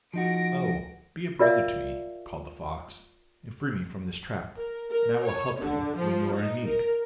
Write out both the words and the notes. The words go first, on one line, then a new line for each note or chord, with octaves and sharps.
'Oh! be a brother to me!' called the fox, 'and free me from this trap, and I will help you when you are in need.
F3 D#4 F#4 A#6 D7
F4 A#4 D5 E5 F5
A#4
A#4
C#5
D3
F3
D#4
A#4